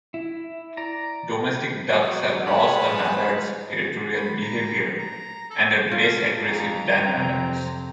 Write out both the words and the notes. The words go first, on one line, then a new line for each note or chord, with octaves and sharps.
Domestic ducks have lost the mallard's territorial behaviour, and are less aggressive than mallards.
E4
D5 A#5
F#3
F4 G#4 B4 C#5 A5 B5
B5
A#5
A#5
A4
F4 A4
F2 A#5
F2 C3 C4